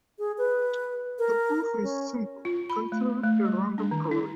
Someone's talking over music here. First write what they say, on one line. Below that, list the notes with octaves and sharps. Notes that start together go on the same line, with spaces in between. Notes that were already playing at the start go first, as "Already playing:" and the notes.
The proof is simple: Consider a random coloring.
G#4
B4
A#4
C#4
F4
B5
A3
A3
G3
D4
D#3
E4